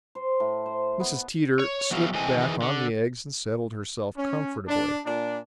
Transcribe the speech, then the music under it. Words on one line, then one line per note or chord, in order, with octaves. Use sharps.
Mrs. Teeter slipped back on the eggs and settled herself comfortably.
C5
A2
C5
B3
C#5
F#3 B3 F#4 G#4 E5 F5
E3 G#3 A3 C4 G#5
D#3 E3 G#4
D3
C#4
D4
A#2 D4